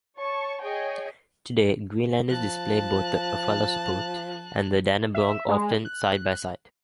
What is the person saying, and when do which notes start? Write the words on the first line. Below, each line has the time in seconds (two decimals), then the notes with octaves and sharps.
Today, Greenlanders display both the "Erfalasorput" and the "Dannebrog"-often side-by-side.
0.17 C#5 A5 C#6
0.61 G#4 C#5 D#5 G5 G#5
2.30 F3 A5 F#6
5.15 E5
5.49 G#3
5.85 F#6